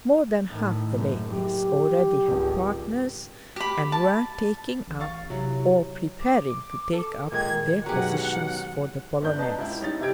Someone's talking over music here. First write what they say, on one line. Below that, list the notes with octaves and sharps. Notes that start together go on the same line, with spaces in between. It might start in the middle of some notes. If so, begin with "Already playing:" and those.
More than half the ladies already had partners and were taking up, or preparing to take up, their positions for the polonaise.
A2 D#3
F#1 F#2
F#1 G4
G#1 C#2
G4 B5
A5
A1
F5 C#6 A6
C3 F#3 E4
D6
A4
A#2 D#3 G#3 G#6
F#2 B2 D#3 F#3 G#3 G4 G#4 F#5
G1 D4 G6
B4 D#5 A5 A#5
C#2 E4
G3 C#4 D#4 D#5 A6
F1 C3 E4 G4 G#6 D7